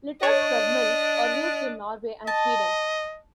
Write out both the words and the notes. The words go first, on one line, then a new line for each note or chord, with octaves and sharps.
Litres per mil are used in Norway and Sweden.
D4 C#5 D#5
D#5 A5